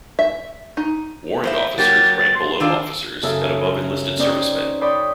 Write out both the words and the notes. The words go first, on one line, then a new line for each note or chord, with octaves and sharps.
Warrant officers rank below officers and above enlisted servicemen.
E5
D#4
A2 C5 E5
F#3 A#3 G4 A6
C6
D#3 D4 F4 E6
F#2 C#3 A4 E5
C#4 D#4 C5 D5 G5
C#5 D5 G5 B5 C6 D#6